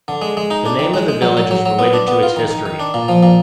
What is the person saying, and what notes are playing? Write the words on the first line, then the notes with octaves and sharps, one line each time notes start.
The name of the village is related to its history.
D3
G#3
G#3
D#4
D4
D#3
G#3
G#3
F#3
F#3
F#3
F#3
B3
D4
B3
F4
D#3
D#3
D#3
D4
A#2
F3
A#2